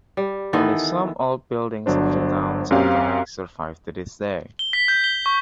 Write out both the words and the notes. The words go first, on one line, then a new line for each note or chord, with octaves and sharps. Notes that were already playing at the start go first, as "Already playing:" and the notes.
Only some old buildings of the town centre survived to this day.
G3
D#3 E3 B3 A4
G1 F#3 D4 C5
F#2 C4 C#4 G4 F5 A#5
G7
B6
G6
G7
C#6